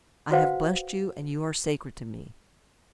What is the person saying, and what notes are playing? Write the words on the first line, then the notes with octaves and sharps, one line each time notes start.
I have blessed you and you are sacred to me.
F#4 B4 C5 F5 F#5